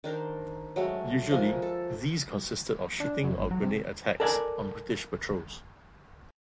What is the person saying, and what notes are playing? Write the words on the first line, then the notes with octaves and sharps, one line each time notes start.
Usually, these consisted of shooting or grenade attacks on British patrols.
D#3 D4 A#4 C5
F#3 G#3 A3
F3 G#3 F4 A#4
A4
D4
F#2
G#1
F#3
C3
A4 A#4 D5 D#5 F#5 G#5